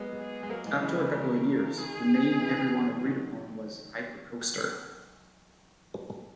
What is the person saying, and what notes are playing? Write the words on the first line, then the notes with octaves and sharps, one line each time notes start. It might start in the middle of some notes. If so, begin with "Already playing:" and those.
After a couple of years, the name everyone agreed upon was hypercoaster.
Already playing: F#3 G#3 A#3 B3
G#4
G#3
F#3 A#3 A#4
E3 G#3
C#3 E3 B4
C#3
C#3 A#4
D#3
C#3
D#3 G#4
C#3 E3
D#3 F#3